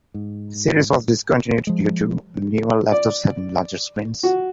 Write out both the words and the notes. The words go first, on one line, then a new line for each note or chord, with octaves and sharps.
The series was discontinued due to newer laptops having larger screens.
G#2
F3 G#3
D5
F#4